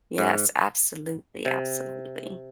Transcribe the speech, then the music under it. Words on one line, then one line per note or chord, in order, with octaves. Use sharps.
Yes, absolutely, absolutely.
G#2
C3